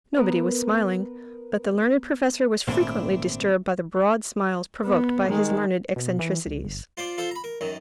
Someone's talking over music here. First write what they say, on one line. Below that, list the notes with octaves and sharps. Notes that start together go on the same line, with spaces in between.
Nobody was smiling; but the learned Professor was frequently disturbed by the broad smiles provoked by his learned eccentricities.
B3 A#4 B4
G#1 A#2 A3 C4 D4 E4
B3
D#3 G#3
B2
E3
C#2
G1
F4 C5 D5
F4 A4 C5
A#5 B5
A#4
F#2 D#3